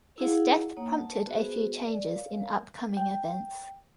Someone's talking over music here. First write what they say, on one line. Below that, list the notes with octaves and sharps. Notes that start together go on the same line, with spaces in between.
His death prompted a few changes in upcoming events.
E4 F#4 G#4 F5 F#5
A#3 D#4 C#5 F#5
A5
B3 F#4 G#4 B4 C5
D5
A#4 C#5 F5
G5